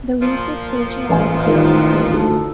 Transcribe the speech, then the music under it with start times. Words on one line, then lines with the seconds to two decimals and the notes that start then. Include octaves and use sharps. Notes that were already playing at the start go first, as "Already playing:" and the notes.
The league would soldier on with nine teams.
0.20 A#2 F3
1.09 A1 A2 G#5
1.47 D#3 E4 F4 A#4
2.11 D2 D#4 A4